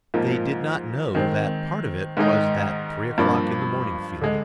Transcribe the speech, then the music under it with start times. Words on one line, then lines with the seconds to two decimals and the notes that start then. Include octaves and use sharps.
They did not know that part of it was that three-o'clock-in-the-morning feeling.
0.14 G#2 F3 A#3
1.15 D#3 G#3 C4
2.17 G#2 D#3 G#3 D#4
3.18 G2 F3 A#3 D4 F4
4.21 D3 G#3